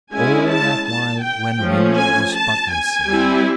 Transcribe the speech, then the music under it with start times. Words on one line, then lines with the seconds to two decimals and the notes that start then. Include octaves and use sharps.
All that while Gwen Wynn was but missing.
0.13 G#3 C#4 E4 G#5
0.50 A5
0.87 A5
1.24 G5
1.60 F3 A3 C#4
1.97 G#5
2.34 A5
2.71 G#5
3.08 G3 C4 E4